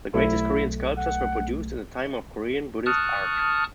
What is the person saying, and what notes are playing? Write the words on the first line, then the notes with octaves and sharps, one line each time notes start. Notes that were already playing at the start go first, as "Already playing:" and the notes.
The greatest Korean sculptures were produced in the time of Korean Buddhist art.
B1 A3 E4
F#5
A5 C#6 D#6 F6 F#6